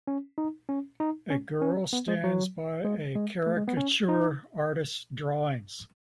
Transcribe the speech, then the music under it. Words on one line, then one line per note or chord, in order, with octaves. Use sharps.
A girls stands by a caricature artist 's drawings.
C#4
D#4
C#4
D#4
C#4
C#4
B3
G#3
F#3
G#3
G#3
A3
G#3
B3
C#4
D#4